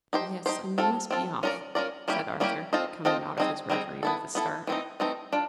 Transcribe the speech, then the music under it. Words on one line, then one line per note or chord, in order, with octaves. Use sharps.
"Yes, I must be off," said Arthur, coming out of his reverie with a start.
D#4 G4 C5
D#4 G4 C5
C4 F4 A4
C4 F4 A4
C#4 F4 A#4 D5
C#4 F4 A#4 D5
G3 A#3 C#4 E4 G4
G3 A#3 C#4 E4 G4
C4 F4 A4 C5 D#5
C4 F4 A4 C5 D#5
G3 C4 D#4 G#4
G3 C4 D#4 G#4
B3 E4 A4
B3 E4 A4
E3 A3 C4 D#4
E3 A3 C4 D#4
D4 F4